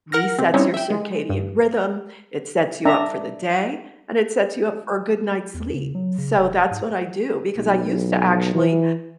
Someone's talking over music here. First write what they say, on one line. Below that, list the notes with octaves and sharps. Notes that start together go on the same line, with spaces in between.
resets your circadian rhythm, it sets you up for the day, and it sets you up for a good night's sleep. So that's what I do, because I used to actually,
A#4 F#5 F6 A#6
C3 C4
G3 C4 C#4 D#4 E4 C#5
E5 G5
G#3
G2
D4 E5 A#5
E2
C#3
F#3
C#3
F1
G#2
B1
E3